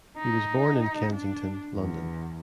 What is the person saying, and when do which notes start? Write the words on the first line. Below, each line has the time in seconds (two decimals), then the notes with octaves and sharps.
He was born in Kensington, London.
0.17 D#4
1.12 D4
1.74 E2